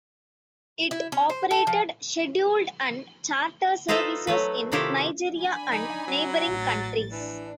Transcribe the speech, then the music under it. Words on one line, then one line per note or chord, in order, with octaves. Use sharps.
It operated scheduled and charter services in Nigeria and neighbouring countries.
E4
C#4
C5
A4
F3
D#4 F4 A4 B4 C5 E5
F#3 A3 B4
C3 D#3 A3 E4 F4 G4
D4 G#5 B5
D#4
F#3
A1 A6
E3 D4